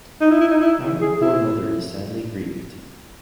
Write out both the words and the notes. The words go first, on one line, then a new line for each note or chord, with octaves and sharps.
Our poor mother is sadly grieved.
D#4
E4
E4
D#4
E4
G#4
E4